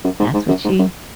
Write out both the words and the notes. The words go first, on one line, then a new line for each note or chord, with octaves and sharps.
that's what she
F#2
G#2
G#2
F#2
G#2
F#2